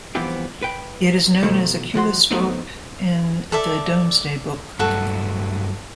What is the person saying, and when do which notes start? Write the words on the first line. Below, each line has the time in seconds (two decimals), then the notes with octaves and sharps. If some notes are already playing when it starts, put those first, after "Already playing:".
It is known as Aculestorp in the "Domesday Book".
0.15 G2 E3 F3 B3 C4 G4
0.62 B4 G5
1.43 B2 D#3 F3 A3
1.94 D#2 F3 F#4 C6
2.31 F3 A3 B3 C4 D#4
3.52 A4 D5 E5
4.79 G2 F#3 A3 F#4 A4